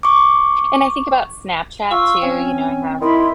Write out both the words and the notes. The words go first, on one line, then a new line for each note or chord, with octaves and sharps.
and I think about Snapchat, too, you know, I have,
C#6 D6
F4 C#6 E6
C4 C#4
D#3 E4 B5 C6